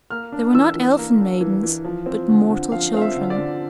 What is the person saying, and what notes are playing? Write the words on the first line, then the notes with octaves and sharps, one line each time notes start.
They were not elfin maidens, but mortal children.
A#3 F6
D4
E3 E6
E3
A#3
D4
E3
E3
F3
C4
D3
D3
F3 F5
C4 F5
E5
D3
D5
D3